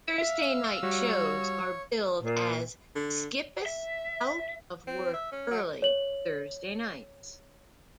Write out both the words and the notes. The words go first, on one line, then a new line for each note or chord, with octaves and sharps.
Thursday night shows are billed as "Skippeth-Out-Of-Work-Early Thursday Nights".
E5 F5 E6
G3 F#4 C#5
A#2
D3
E5
C4
E5
C#4
F#3
C#5 F#7